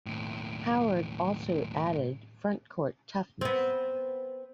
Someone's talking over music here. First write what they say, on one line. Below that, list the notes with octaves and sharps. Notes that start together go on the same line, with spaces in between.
Howard also added frontcourt toughness.
D#2 A2
B3 C4